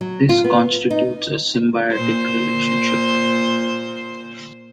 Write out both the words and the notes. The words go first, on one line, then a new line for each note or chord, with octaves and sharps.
This constitutes a symbiotic relationship.
F#3
F4
B3
D#4
A#2 C5